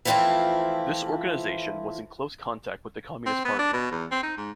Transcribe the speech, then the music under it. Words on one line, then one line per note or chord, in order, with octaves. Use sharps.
This organisation was in close contact with the Communist Party.
E3 F3 A3 C4 E4 F4
C4
B3
D4
B2
E2
C4
D#4
G#2